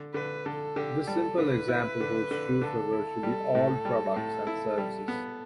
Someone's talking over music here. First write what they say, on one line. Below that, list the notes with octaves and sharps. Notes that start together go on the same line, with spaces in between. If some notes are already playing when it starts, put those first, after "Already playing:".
This simple example holds true for virtually all products and services.
Already playing: D3
D3 B4
D3 A4
D3 G4
G3 A4
D3 B4
E4
D3
D3
D3 A4
E4
G3
A2
G3
A2
E4
G3
B3